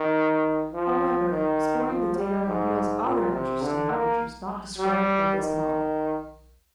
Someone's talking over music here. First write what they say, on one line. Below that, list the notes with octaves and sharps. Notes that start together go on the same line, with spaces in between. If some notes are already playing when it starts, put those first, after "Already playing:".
However, exploring the data reveals other interesting features not described by this model.
Already playing: D#3
F3
D#3
F3
G3
G#2
A#2
C3
D3
A#3
G3
D#3